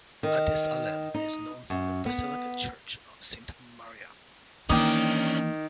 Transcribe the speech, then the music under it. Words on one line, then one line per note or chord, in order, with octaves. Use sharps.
Addis Alem is known for the Basilica Church of Saint Maryam.
D#3
D#4
F#2
B3
D#3 E3 A#3 C#4 D4 G5 D6 D#6